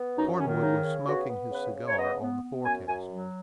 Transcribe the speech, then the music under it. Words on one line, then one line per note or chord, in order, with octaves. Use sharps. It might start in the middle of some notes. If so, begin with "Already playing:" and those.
Cornwood was smoking his cigar on the forecastle.
Already playing: B3
F#2 D#4
D#3 C#4
C#3 D#4
C#3
B3 F#4
B3
C#3 B4
C#3
C#5
B3 D#5
B3
B3
F#2 G#5
F#2 G#5
F#3